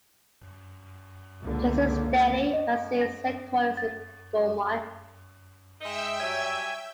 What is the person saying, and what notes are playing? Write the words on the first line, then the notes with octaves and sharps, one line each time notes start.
Jason's Deli has its headquarters in Beaumont.
C#2 D3 A#3
D#5
A#6
A6
G#3 D#4 D#5 E5 G5 E6
F#3 G3 C#5 G#5